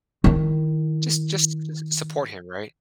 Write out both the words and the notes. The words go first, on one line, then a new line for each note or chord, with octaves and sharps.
Just just just support him, right?
D#3 E4